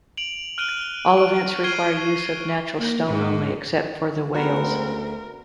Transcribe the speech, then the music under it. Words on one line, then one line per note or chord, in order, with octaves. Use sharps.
All events require use of natural stone only, except for the Wales.
D7 F7 F#7
F6 F#6 D7 D#7 G7
C#6 D7
C#6 F6 G#6 C7 D#7 G7
A#3
G#2
D2 G#2 C#3 B3 C4 F#4 A#4